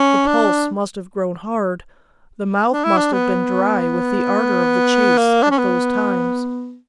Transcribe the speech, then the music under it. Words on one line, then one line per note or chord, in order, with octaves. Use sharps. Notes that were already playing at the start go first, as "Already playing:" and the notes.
The pulse must have grown hard, the mouth must have been dry with the ardor of the chase, at those times.
Already playing: C#4
D4
D4
E4
D4
B3
A#3
D4
C#4
B3